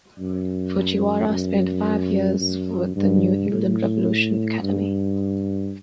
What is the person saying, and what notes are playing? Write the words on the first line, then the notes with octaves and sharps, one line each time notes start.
Fujiwara spent five years with the New England Revolution academy.
F#2
F#2
F#2
G2
A2
G2